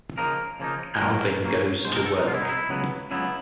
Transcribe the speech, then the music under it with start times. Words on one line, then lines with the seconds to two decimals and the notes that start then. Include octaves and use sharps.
Alvyn goes to work.
0.17 C#3 F3 A#3 D#4 A#4
0.60 C#3 F3 A#3 D#4
1.01 A#2 F#3 A#3 C#4 A#4
1.43 A#2 F#3 A#3 C#4
1.84 C2 B2 G#3 C5
1.96 A#4
2.06 A4
2.17 D#4
2.27 C2 B2 G#3 F4
2.35 E4
2.42 D#4
2.49 E4
2.69 C#2 C#3 F#3 B3
3.11 C#2 C#3 F#3 B3 E4